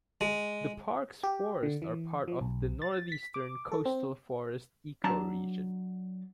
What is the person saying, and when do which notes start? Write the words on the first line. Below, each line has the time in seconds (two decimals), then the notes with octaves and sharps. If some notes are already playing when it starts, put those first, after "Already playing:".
The park's forests are part of the Northeastern coastal forests ecoregion.
0.21 G#3
1.23 G4
1.63 D3
1.82 E3
2.28 F3
2.41 B1
2.82 A6
3.12 B6
3.34 D6
3.72 A4
3.85 C4
5.04 F#3 D4 A5 A#5